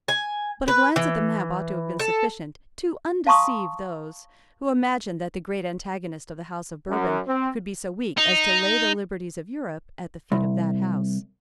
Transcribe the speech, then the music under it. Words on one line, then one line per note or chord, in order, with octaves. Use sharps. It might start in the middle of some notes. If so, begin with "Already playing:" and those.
But a glance at the map ought to have been sufficient to undeceive those who imagined that the great antagonist of the House of Bourbon could be so weak as to lay the liberties of Europe at the feet of that house.
G#5
B4
E3
A4
F5 A5 A#5 C6 C#6 D#6
F#2
C4
D#4
C2